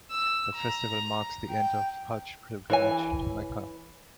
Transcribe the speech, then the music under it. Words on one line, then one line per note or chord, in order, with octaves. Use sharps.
The festival marks the end of the Hajj pilgrimage to Mecca.
E6
A#5
G5
E3 C#5 G#5